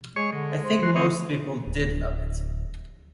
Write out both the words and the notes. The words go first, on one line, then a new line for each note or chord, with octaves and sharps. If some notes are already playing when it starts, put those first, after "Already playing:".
I think most people did love it.
G#3 G#4 C#5 C#6
D3 G#3
C5
F#3 C6
D3 C4 C#5 D#5
D1